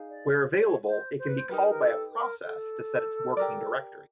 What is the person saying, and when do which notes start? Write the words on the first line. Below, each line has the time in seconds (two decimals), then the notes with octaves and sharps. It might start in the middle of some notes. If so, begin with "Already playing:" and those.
Where available, it can be called by a process to set its working directory.
Already playing: D#4 G#4 F5
0.09 D5
0.55 D5
0.59 C#5
0.87 C5
1.18 C5
1.27 B4
1.37 C5
1.49 D#4 G4 A#4 B4
1.69 A#4
1.80 A4
2.12 A#4
2.44 A4
3.37 G4 A#4 D5